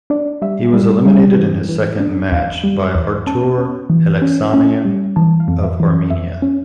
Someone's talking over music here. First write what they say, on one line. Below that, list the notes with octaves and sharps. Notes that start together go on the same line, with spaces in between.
He was eliminated in his second match by Artur Aleksanyan of Armenia.
D4 D5
G3 E5
G3
G3
E3
E3
D4
E2 F5
G3
D6
E2
C#4 A5
C#4
E3
C#4
C#4
G3
E3 A5
F5
F2
E5
E3
F2 E5
C#4